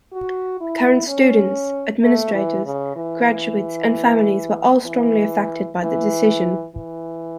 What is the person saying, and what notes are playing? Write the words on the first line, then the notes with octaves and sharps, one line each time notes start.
The current students, administrators, graduates, and families were all strongly affected by the decision.
F#4
E4
C#4
A3
E3
C#3
E3
E3
E3
E3